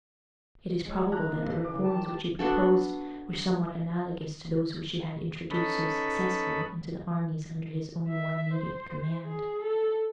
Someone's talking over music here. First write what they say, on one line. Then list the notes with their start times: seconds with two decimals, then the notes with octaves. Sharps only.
It is probable that the reforms which he proposed were somewhat analogous to those which he had introduced so successfully into the armies under his own more immediate command.
0.86 G#3 C#5
1.12 A#5 F#6
1.31 A#3 C4 D4
1.43 B1
1.65 C#3 E3 D6
1.84 D#3 G4 A5
2.39 B3 D4 F#4 A4
5.51 C#4 D#4 A4 B4 B5
8.07 E5
8.54 C5
9.26 G#4
9.62 A4